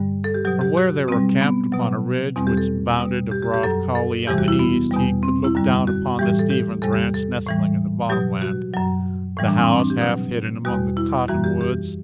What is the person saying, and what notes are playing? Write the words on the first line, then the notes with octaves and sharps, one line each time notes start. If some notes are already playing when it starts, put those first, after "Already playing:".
From where they were camped upon a ridge which bounded a broad coulee on the east, he could look down upon the Stevens ranch nestling in the bottomland, the house half hidden among the cottonwoods.
Already playing: G2 D3 G3
A4
G4
B2 F#3 G4
G4
F#4
B2 G3 C4
B3
B2 F#3
E2 B2 G3 C4
G4
A4
B2 G3
G4
G4
G4
F#2 F#3 A4
A4
E2 C3 E3 G3 G4
F#4
E4
B3
E2 B2 G3
C4
E4
F#2 D3 G3
F#4
A2 E3 G3 G4
G4
A4
G4
E2 C3 G3 A4
G4
A4
A2 E3 G3
B2 F#3 G4
F#4
F#2 F#3
A2 E3 G3
D4
C4
C4
D4
G4
B2 F#3
E2 B2 G3 F#4
E4
F#2 E3 G3 F#4
G4
G4